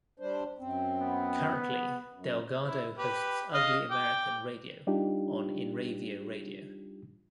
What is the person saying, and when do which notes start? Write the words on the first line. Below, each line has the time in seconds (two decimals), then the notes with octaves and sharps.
Currently, Del Gado hosts "Ugly American" Radio on Inravio Radio.
0.20 G3 D4 C5
0.59 F#2 C4
1.01 B3
2.13 F#2
2.67 E4
2.98 G4 B4
3.53 D#5 F5
3.90 G5 D6
4.87 G3 D4 D#4 F4 G4